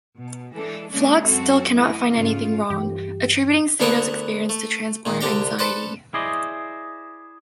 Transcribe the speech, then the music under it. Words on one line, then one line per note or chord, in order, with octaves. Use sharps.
Phlox still cannot find anything wrong, attributing Sato's experience to transporter anxiety.
B2
E3 G#3 D4 A4
C#3 G#3 A#3 C#4 D4
F#2 C4 F#4 A4
E3 A3 E4 D#5
G#2 C#3 F4
G2 E3 G4
D2 B3 D4 E4 A#4 F#5
A3
A#2 D#3
C2 D3 D4 G4 G5
A4 B4 C5 D5 F#5
E4 G#4 C5 D5 D#5